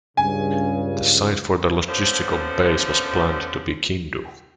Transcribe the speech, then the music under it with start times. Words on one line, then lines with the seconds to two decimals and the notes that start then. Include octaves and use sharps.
The site for the logistical base was planned to be Kindu.
0.17 C#2 G2 C#3 G#5
1.87 D3 F3 A3 B3 C#4 C5